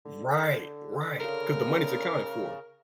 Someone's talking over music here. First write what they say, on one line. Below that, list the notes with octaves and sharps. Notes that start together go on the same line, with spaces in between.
Right, right, 'cause the money's accounted for.
D3
C#3 A#4